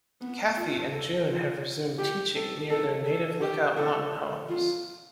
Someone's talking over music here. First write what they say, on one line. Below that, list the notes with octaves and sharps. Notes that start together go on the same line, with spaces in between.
Kathy and June have resumed teaching near their native Lookout Mountain homes.
B3
F4
A4
F4
G4
A4
A4
A4
G4
A4
F4